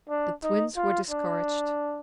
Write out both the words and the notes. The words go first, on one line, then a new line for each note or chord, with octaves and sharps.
The Twins were discouraged.
D4
D#4
F4
D4